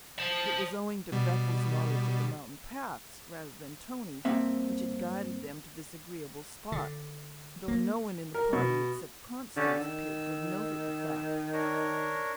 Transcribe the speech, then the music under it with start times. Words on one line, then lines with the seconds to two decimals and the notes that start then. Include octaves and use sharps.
It was owing to Beppo's knowledge of the mountain paths rather than Tony's which had guided them to this agreeable spot; though no one in the party except Constance appeared to have noted the fact.
0.19 C5 A5
1.12 B2 G3
4.25 G2 A#3 C4 E5
6.72 D3
7.68 A#3
8.34 A#4
8.53 B2
9.57 D3 C#4 F#4 G4
9.79 D#3 E6
11.53 D4 A#4 C#5